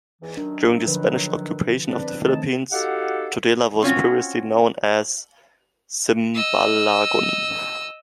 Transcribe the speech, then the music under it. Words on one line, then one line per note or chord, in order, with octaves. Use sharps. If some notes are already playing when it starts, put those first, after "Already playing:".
During the Spanish occupation of the Philippines, Tudela was previously known as Simbalagon.
E2 G#2 E3
F#2 D#3 F#3 D4
D3 F3 B4
C#2 C4 D4 B4
A2 D#3 A3 C4 D#4 A5
D#4 F#4 G4 A4 F5 F#5
C4 C#4 F4 F#4
D#5 E6